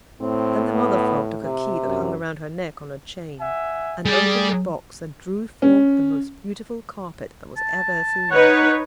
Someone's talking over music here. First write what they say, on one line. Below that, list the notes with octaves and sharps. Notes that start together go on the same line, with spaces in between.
Then the mother Frog took a key that hung around her neck on a chain, and opened the box and drew forth the most beautiful carpet that was ever seen.
A2 C4
B3
C3
F#2
E5 F#5 G#5
G3 G#4 D5
C#4
A5
D#4 B4 C#5 F#5